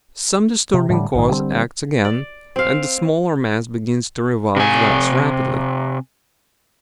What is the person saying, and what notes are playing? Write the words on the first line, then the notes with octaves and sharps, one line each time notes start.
Some disturbing cause acts again, and the smaller mass begins to revolve less rapidly.
C3
A2 D3 E3 G3
A#1 G#2 D#3
D3 G3 G#3 C4
D5
C4 F5
C3 G#5